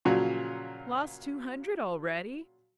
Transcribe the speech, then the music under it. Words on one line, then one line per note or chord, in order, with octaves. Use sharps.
Lost two hundred already?
A#2 C#3 F3 F#3 F#4